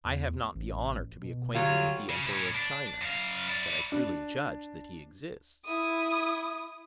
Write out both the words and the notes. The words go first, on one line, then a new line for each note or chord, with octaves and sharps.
I have not the honour to be acquainted with the Emperor of China, but I truly judge that he exists.
E2
A1
B2
D3 F#3 G3 F4
C#3
A2 C#4
D4
F#2 F5
E4 D5
D4
E4 D#6